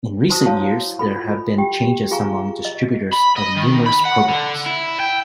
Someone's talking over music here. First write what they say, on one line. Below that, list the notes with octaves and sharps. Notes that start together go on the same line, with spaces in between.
In recent years, there have been changes among distributors of numerous programs.
F#4 C5 A5 C#6 D#6
E4 C#5 F5 A5
F4 A4 B5
G4 G5
F4 G#4 F5 G#5 A#5 C#6
D#5
B5
D#5
D#3
B5
F#5
D3
E4
G5